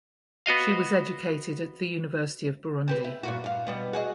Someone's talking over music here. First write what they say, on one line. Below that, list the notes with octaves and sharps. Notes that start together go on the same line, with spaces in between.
She was educated at the University of Burundi.
B3 F#4 D#5 F5
C4 G4 B4
E4
G2 A#2 F#4
G2 F5
B2 G3 B3
F#4 G#4 D#5